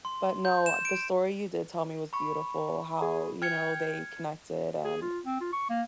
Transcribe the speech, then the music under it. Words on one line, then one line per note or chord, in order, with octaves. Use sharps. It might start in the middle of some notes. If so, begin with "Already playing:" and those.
But, no, the story you did tell me was beautiful, how, you know, they connected and,
C6
G6
E7
D7
B5 C#6
G#4
G5 F6 G#6 C#7
G#4
F4
C4
F4
C#6
A#3